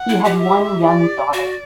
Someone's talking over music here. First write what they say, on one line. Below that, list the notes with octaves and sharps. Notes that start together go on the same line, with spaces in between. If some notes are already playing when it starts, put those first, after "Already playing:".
He had one young daughter.
Already playing: F#5
E4
G4
E5
D5
F#4 D5